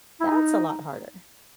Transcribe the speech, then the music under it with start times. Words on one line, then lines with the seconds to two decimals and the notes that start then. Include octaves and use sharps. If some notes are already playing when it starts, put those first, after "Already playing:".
That's a lot harder.
0.21 E4
0.28 D#4